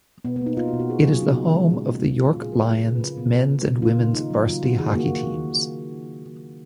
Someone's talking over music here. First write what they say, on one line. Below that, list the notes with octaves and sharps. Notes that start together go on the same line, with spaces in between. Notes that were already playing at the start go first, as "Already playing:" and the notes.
It is the home of the York Lions men's and women's varsity hockey teams.
B2 B3
B3
A#3
D#4
A#3 F4
F#4
B2
F#4
B2 G#4
G#4
F#3
F4
C#3 D#4
B3
C#3
C#4
G#3
A#2
A#3 D#4
B2
G#3 F4
F4
A#2
G#4
F3 A#4
F3
C#3 G#4
B4
C#3
F4
A#2 B3
A#2
A#3
C#3
A#3 F4
C#3 D#4
D#3 D#4
F#3
C#3 F4
C#3 F#4
D#3 G#4
A#3 F#4